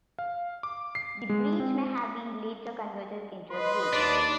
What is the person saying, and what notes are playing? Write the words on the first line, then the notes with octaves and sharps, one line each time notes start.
The breach may have been later converted into a gate.
F5
D6
C7
G#3
C4
B4 D#5 C6
D#2 D4 D5